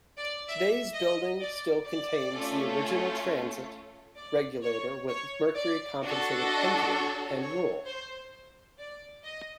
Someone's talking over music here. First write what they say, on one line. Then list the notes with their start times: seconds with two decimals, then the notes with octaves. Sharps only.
Today's building still contains the original transit, regulator with mercury-compensated pendulum, and rule.
0.18 D5
0.49 E5
0.94 D#5
1.41 D5
1.86 D5
2.33 A3 C#4 F4 A4
4.17 D5
4.63 C#5
5.09 C#5
5.56 D5
6.01 D4 F#4 A4
6.48 D#5
6.94 C#5
7.40 C#5
7.86 C5
8.78 D5
9.24 D#5